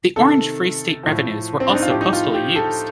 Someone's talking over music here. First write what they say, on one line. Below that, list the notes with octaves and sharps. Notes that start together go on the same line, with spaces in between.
The Orange Free State revenues were also postally used.
C3 D#3 A4
A2 F3
C4
D4
D#4
F4
A2 F3 G4
D#4
F4
G4
A4